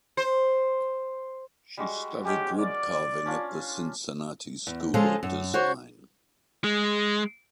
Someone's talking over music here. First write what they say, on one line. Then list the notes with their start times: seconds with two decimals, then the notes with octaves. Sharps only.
She studied wood carving at the Cincinnati School of Design.
0.17 C5
1.77 G3 G#3 F#4
2.24 G#3 C#4 D#4 G4
2.58 A#4 D5 D6
3.26 C#4 D4 F4
4.67 E2
4.94 F3 G#3 C#4 F4 G#4 A4
5.23 F#2
5.54 F#4 C5 C#5
6.64 G#3